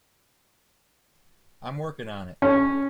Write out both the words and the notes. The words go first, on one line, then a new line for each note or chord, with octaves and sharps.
I'm working on it.
C#4